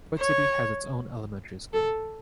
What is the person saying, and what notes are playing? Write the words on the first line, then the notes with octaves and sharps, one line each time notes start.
Ford City has its own elementary school.
C#5
A4